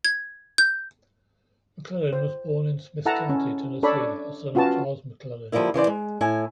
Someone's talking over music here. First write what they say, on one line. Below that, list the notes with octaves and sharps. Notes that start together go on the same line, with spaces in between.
McLellin was born in Smith County, Tennessee, a son of Charles McLellin.
G#6
G6
C5
E4 A4 F#5 A5 A#5
C#4
D4 A4 C#5 D5 B5
C#4 F4 F#4 B4 A5
D3 F3 G3 G#3 A#3 E4
C#3 E3 C5 D5
G#3
A2 E4 G#5